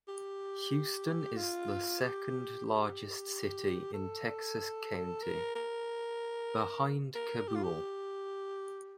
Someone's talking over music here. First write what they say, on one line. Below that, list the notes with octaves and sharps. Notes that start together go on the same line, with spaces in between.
Houston is the second largest city in Texas County, behind Cabool.
G4
F4
G4
G4
A4
A#4
A#4
A#4
G4
F4
G4